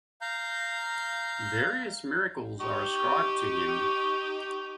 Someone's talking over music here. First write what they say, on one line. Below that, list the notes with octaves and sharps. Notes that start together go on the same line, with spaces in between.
Various miracles are ascribed to him.
F5 A#5 G6
D#4 G4 C#6